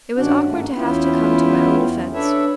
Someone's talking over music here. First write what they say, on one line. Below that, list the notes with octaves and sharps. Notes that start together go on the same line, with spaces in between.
It was awkward to have to come to my own defense.
G2 D#3 C#4 D4 F#4 F#5
G#2 A3 A#3
E2 B3 C#4 E4 F4 G5
D4 A4 B4 C#5 E5